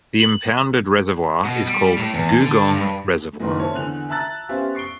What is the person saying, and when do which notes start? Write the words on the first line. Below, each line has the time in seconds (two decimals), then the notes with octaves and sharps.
The impounded reservoir is called Googong Reservoir.
0.20 F#7
1.45 B2
1.67 G3
1.97 A2
2.14 E2
2.40 D3
2.70 G2
3.40 F#1 A2 D#3 A#3 B4 C6
3.59 C5 C#5 E5 A5
3.73 E2 D3 F#6 F7
4.09 E5 A5 A#5 E6 F#6 A6
4.49 B3 C#4 G4 C5 E5 F5
4.75 C#6 C7 D7 G7